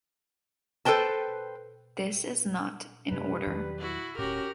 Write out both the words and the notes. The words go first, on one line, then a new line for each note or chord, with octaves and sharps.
This is not in order.
A4 B4 C5 G5 A5
F#2 C3 G3 G#3 B4
E2 D#3 F#3
E4 F#4
D1 A2 C#4 F#4 G4 A#4